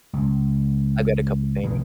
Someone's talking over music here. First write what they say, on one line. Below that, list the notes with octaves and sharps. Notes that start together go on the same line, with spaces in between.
I've got a couple of paintings,
C#2
F1 C2 A2 D#3